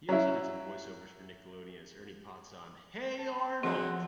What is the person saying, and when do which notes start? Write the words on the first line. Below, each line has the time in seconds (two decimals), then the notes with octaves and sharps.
He also did some voiceovers for Nickelodeon as Ernie Potts on Hey Arnold!
0.09 F#3 C#4 E4
3.19 A5
3.63 D3 F3 F#3 G#3 C4 F#5